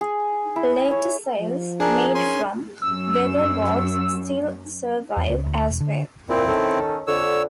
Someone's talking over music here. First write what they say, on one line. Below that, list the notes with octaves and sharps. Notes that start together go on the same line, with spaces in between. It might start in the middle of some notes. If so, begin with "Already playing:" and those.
Later cells, made from weatherboards still survive as well.
G#4
E4
C#5
F3
D4 G#4 A#4
C#4 G#5 C6
F#2 E6
E2
C#2
D2
E1
D3
A#2 C4 E4
D#3 C#4 A4
F2 D3 C#5 E6